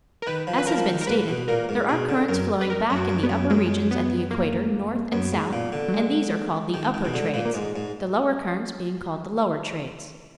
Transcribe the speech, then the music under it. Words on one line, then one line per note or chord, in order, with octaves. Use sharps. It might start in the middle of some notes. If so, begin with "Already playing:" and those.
As has been stated, there are currents flowing back in the upper regions at the equator north and south, and these are called the upper trades--the lower currents being called the lower trades.
A#4
D#3 B4
F3
B4
F3 A#4
F3
D#3
A#4
G#2 B4
B2
A#2 A#4
G#2
B2 G#4
D3
F#2 A#4
B4
A#4
F#2
F#4
F#2
B3
F#2
F#2 G#3
B3
A#3
F#2 B3
G#2
A#2
D3
F#3
G#3
D#3
D#3
B2
D3
A#2
A#3
G#2 G#3
G#2